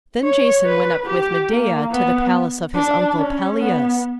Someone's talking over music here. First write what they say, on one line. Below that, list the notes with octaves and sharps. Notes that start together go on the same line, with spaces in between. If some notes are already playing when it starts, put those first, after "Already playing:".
Then Jason went up with Medeia to the palace of his uncle Pelias.
C#5
B4
G4
A#3
B3
D4
C#4
B3